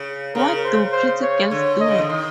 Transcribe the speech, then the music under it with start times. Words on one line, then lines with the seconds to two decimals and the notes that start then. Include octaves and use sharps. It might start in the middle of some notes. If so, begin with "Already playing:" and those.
What Do Pretty Girls Do?
Already playing: C#3
0.35 C#3 A#4
0.64 C5
0.92 C5
1.22 C#5
1.50 D3 C#5
1.80 D#5
1.88 C#3
1.98 D3
2.10 D#3